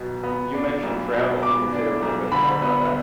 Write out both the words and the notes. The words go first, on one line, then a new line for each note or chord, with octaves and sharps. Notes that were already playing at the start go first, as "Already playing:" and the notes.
you mentioned travel, can you say a little bit more about that?
Already playing: B1 B2
B3
D4
B1
B2
B3 D6
D4
B1
D3 B5
B3